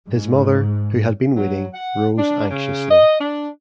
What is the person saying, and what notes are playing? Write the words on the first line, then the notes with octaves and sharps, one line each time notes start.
His mother, who had been waiting, rose anxiously.
G#2
F#3
F#5
D4
C#3
D#5
D4